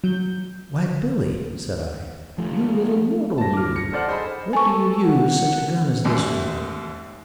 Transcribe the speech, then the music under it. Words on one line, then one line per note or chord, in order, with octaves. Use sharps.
"Why, Billy," said I, "you little mortal, you! what do you use such a gun as this for?"
F#3 G6
F3 A3
A5 A#6
D6 F6
A#6 C#7
A4 C5 D5 F#5 F6
D#4 G#4 C5 G#5 B5
A4 G#5 C#6
F#5
A1 D#2 G#2